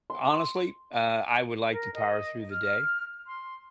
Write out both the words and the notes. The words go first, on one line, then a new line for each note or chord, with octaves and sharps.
honestly, uh, I would like to power through the day.
C6
A#4
D#5
F6
C6